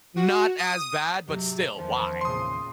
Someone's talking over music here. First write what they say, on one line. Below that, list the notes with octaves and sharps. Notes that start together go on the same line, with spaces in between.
not as bad, but still, why?"
F#4
D#6
G#2 C3 F#3 G#3
E2 D#3 F3 C#4
A#2 C#3 C6 D#6